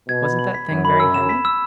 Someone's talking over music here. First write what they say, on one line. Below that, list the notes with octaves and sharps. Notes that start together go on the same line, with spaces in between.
"Wasn't that thing very heavy?"
B2 G#6
B5
F#7
B6
F#2 G#6
B5
E6
E7
B6
E6